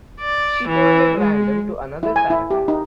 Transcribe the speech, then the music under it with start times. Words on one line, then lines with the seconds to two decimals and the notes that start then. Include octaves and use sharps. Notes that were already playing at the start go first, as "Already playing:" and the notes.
She turned at random to another paragraph.
0.21 D5
0.67 E3
1.19 G#3
2.03 E4
2.16 G#5
2.30 E4
2.50 G4
2.68 D#4